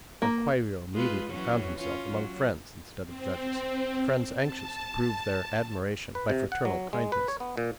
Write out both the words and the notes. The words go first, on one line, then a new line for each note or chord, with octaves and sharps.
And Kwairyo immediately found himself among friends instead of judges,--friends anxious to prove their admiration by fraternal kindness.
A#3
G#3 F4 B4
E3 F#3 C#4
C#4 F4
F#3
C4
A5
B4
C3
F#5
F#3
G#3
B4
C#5
B3
A#2